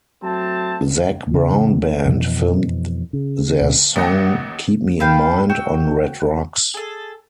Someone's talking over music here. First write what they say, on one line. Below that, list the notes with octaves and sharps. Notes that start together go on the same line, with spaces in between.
Zac Brown Band filmed their song "Keep Me In Mind" on Red Rocks.
F#3 A3 C4 A5
C#3 E3
F2 B2 E3
C#3
D2 B2 D3
A1 D#2 D#5 F#5 A#6
A4 B4 F5 G5
F#4 G5 E6
G#4 A4